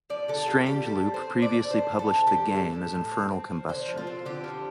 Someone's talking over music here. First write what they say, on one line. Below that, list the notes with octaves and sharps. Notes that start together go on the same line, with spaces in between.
Strange Loop previously published the game as Infernal Combustion.
F3 D5
D3 A4
G3 F4
D3 G4
G3 A4
C4
C5
C4
D3 D5
A3
C5
D3
D4 A4
D3 A4
G4
D4
A2 A4
A2
A2
C4
C4
F3
D3 C5
F3
F4
C4
D3 G4
F3